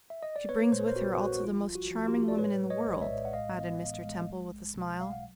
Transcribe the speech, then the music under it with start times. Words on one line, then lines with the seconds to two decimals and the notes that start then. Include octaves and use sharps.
'She brings with her also the most charming woman in the world,' added Mr. Temple, with a smile.
0.10 E5
0.23 D#5
0.36 D5
0.49 B3 B4 C#5
0.72 A#2 C5
0.80 B4
0.87 A#4 C5
0.96 A#1 F#4
1.20 G3 F#4
1.32 F#4
1.44 F3 F4
1.68 G#1
1.75 F#4
1.91 F3
2.07 F4 G4
2.15 F3
2.28 D5
2.38 A2 B4 C#5
2.62 G#3
2.70 C#5 D#5
2.86 A#1
3.02 D5 E5
3.10 A2
3.25 F#5
3.33 G#3 D#5 F5
3.57 B3
3.81 E3
4.05 G#3
4.29 B1
4.52 B1
4.76 B2
5.00 F#3 F5
5.12 F#5